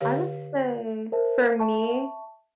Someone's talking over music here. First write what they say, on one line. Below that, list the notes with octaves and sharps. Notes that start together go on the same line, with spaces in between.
I would say for me,
D3 G4 C#5 F5
A#4 C5 E5 A5
E5 A5 C#6